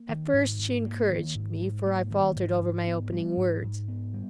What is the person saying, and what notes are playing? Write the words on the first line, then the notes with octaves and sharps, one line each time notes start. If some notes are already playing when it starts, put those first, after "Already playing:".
At first she encouraged me, for I faltered over my opening words.
Already playing: A#3
D#3
G#2
G#2
A#3
D#3
G#2
G#2
A#3
D#3
G#2
G#2
B3
G3
G#2
G#2
B3
G3